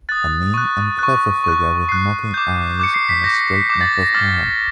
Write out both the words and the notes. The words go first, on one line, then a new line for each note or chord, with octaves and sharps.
A mean and clever figure with mocking eyes and straight mop of hair.
D#6 F#6 A6
C#6 F#6
C#6 F#6
C#6 F#6
C#6 F#6 C7
D6 G6
D6 G6 C#7
C7
B6
D6 G6 A#6
B6
D6 G6
A6
A#6
A#6
D6 F6 A6